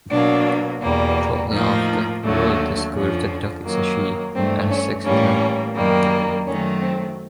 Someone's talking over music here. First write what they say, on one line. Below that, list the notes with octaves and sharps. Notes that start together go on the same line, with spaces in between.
Shortly after, Willard discovers that Duck is a she, and has sex with her.
B2 F#3 A#3 D4
E2 B2 G3 A#3
A2 F3 A#3 D#4
D#2 D3 F#3 A3
F2 D3 F3 C#4
F#2 D#3 F#3 A#3
G2 E3 A3 C4
C#4
A2 E3 G3 A#3 C#4
F#2 D#3 G3 A#3
F#2 D#3 F#3 A3 C#4
C4